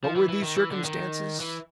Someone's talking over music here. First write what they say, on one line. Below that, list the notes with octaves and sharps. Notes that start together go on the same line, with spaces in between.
What were these circumstances?
F3
E3
E3
D#3
E3
D3
D#3
E3